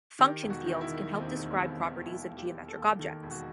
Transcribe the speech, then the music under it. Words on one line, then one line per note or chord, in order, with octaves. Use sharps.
Function fields can help describe properties of geometric objects.
D#3 G4
E1
F#4
D#3
E4
D#3
D#2 D#4
C4
D#4
E1
B3
D#2 C4
D#3
E1 E4
E1
G4
E1
A4
D#2
D#3 A4
E1
F#4